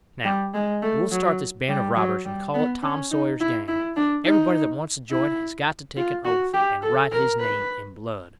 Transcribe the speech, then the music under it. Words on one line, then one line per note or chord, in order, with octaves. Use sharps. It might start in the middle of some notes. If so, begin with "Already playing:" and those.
"Now, we'll start this band of robbers and call it Tom Sawyer's Gang. Everybody that wants to join has got to take an oath, and write his name in blood."
G3
G#3
A3
F#3
G3
F#3
G3
B3
C#4
D#4
E4
E4
D4
D#4
E4
F4
F#4
G4
A4
A#4
B4